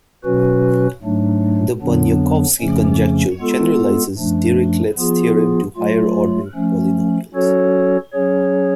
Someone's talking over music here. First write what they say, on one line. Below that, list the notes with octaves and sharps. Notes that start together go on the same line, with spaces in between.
The Bunyakovsky conjecture generalizes Dirichlet's theorem to higher-order polynomials.
B2 F#3 C#4 F#4 B4
G#2 F#3 A3 D4
F2 D3 F#3 B3 D4
F2 C#3 F3 A3 C#4
G#3 B3 F4 A4
F#2 F3 A3 D4
F3 B3 F4 G#4
F#3 A3 F4
F3 A3 C#4
F#3 C#4 F#4 A4 C#5
F#3 C#4 G#4 C#5